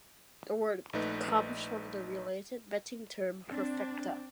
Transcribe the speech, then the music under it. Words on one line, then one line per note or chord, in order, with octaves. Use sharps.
The word comes from the related betting term, perfecta.
A#1 A3 D#4 B4
C4 D4